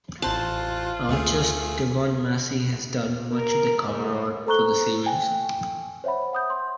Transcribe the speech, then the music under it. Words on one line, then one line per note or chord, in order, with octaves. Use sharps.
Artist Devon Massey has done much of the cover-art for the series.
A1 F4 C5 A5 F#6
D2 A3 G#4
A#4
G#2
A4 C5 A#5 C#6 F#6 G7
G5 G#5
C5 C#5 E5 F#5 B5
F#5 D#6 G6
C6